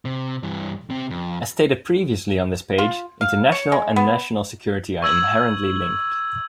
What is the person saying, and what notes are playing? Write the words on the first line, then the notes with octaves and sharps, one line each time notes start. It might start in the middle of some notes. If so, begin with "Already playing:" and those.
As stated previously on this page, international and national security are inherently linked.
C3
G2 E3
C3 C4
F2
F4
F5
C#5
G#3
B3
C#6 E6 G#6 F#7